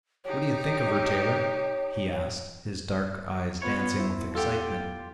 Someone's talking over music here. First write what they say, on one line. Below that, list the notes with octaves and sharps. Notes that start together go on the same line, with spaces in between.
"What do you think of her, Taylor?" he asked, his dark eyes dancing with excitement.
D#4 G4 C#5
B3 F4 B4 C#5
E2 E4 C5
F4 G4 A4 F#5